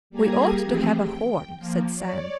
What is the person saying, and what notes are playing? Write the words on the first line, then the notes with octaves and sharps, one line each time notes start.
"We ought to have a horn," said Sam.
G3 A#3 G4 G#4 A#5 G#6
E3 F3 A3 C4 G4 G#4
G5
F3 A#3
C#5 D5